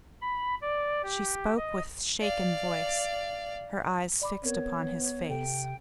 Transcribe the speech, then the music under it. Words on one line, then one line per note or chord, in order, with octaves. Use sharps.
She spoke with shaken voice, her eyes fixed upon his face.
B5
D5
G4
D#5
D5 F5
D5 B5 D6
B3 C4 A#4 C#5
C3 A4 G5